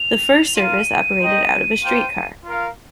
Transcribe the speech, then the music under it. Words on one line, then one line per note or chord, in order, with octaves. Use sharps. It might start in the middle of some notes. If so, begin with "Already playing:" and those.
The first service operated out of a streetcar.
Already playing: F7
F7
F4 A#4 F5 D#7
D#4 C5 D#5 G5
A#3 F4 C5 G5
F4 A#4 F5